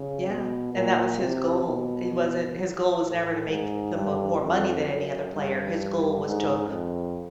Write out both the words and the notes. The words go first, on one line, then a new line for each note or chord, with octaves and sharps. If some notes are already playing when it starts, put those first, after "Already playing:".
Yeah, and that was his goal. He wasn't his goal was never to make the mo more money than any other player. His goal was to
Already playing: C#3
B2
A#2
C3
B2
A2
G#2
G2
F2
F#2
G2
G#2
F2